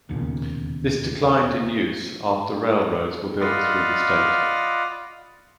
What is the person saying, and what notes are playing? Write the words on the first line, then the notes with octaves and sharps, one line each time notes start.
This declined in use after railroads were built through the state.
E1 D#2 A#2 C#3
F4 D5 D#5 F5 F#5 B5